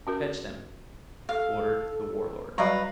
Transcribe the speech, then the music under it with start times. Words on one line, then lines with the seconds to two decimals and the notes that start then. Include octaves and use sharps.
"Fetch them," ordered The Warlord.
0.07 C#4 F#4 A#4
1.29 A4 F5
2.58 F#3 G3 F#4 B4 F5 A#5 B5